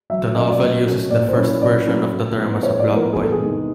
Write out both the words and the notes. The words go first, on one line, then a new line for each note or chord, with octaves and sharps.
The novel uses the first version of the term as a plot point.
F#3 E5
A3 C#4 F#4 A#4 D#5
D5
F#3 D#5
A3 C#4 F#4 A#4
A#2 D5
C5
F#3 A#3 C#4 E4 C#5
A#2 D5
F#3 A#3 C#4 E4
A2
F3 G#3 B3 E4
A2 C#5
D5
F3 G#3 B3 E4
A#4
E2 G#4
A4
G#4
C3 D#3 G#3